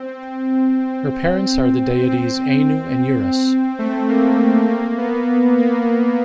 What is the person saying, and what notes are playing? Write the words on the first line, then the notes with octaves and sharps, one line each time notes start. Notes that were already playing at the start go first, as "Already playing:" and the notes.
Her parents are the deities Anu and Uras.
Already playing: C4
C4
A3
A#3
A3
A#3
B3
A#3